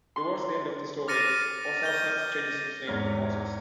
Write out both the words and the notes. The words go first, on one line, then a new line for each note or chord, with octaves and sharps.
Towards the end of the story Osarseph changes his name to Moses.
C6
D6 F6 A6 A#6 C#7 D#7
G6 D#7 G7
E2 G#2 C#5 F6